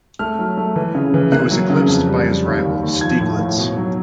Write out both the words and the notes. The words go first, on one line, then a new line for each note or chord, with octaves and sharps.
He was eclipsed by his rival, Stieglitz.
A3 F6
F#3
A3
E3
C#3
E3
A#3 F#6
F#3
C#3
F2
G3
G3
D#2
D#2
D#2
F3 G#6
A2
A2
B2
F#3